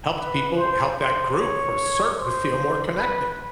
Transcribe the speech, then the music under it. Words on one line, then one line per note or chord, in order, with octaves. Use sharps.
helped people help that group for certain feel more connected.
B4
C5
C5
C#5
C5
B4